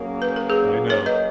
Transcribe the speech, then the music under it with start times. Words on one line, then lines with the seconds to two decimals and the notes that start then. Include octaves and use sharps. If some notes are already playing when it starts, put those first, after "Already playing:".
I know.
Already playing: F#2 C#3 F#3 A#3
0.22 B4
0.36 A#4
0.50 G#4 B4
0.90 A#4 C#5
1.06 B4 D#5